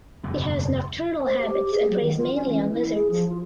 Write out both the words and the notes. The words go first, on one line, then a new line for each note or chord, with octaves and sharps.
It has nocturnal habits and preys mainly on lizards.
F#1 E2 G#2 B2
C5
G4
G#4
F#3
D#3
F4
C#4
E3
E4
G#4
F3
F4